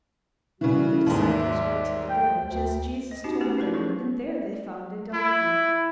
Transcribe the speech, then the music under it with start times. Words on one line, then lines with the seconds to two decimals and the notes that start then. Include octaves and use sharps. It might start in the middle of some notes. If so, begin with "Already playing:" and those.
The disciples went to the village, as Jesus told them, and there they found the donkey.
0.61 C#3 E3 G3 F#4
1.06 D#2 G#2 E3 G#3
1.29 D5 E5
2.09 G5
2.45 D2
3.11 D#5
3.24 C#4 D#4 F#4 G4
3.41 A3 C#4 F#4 G4 A#4
3.58 D#4 E4 F#4 A#4 B4 C#5
3.74 F3 F#3 C#4 G#4 C5
5.13 E4